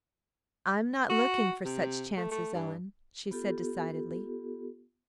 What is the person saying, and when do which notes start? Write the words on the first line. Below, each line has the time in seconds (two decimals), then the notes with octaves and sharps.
"I'm not looking for such chances, Ellen," she said decidedly.
1.10 F#4
1.65 C3
2.17 A3
2.31 A3
2.54 G2
3.31 B3 F4 G4 A4